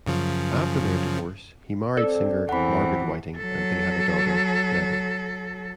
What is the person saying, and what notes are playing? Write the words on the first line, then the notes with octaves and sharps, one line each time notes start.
After their divorce, he married singer Margaret Whiting, and they had a daughter, Debbi.
F#2 C#3 F3
C4 A4 D5
E2 E3 C4 F#5 B5
F#3 A4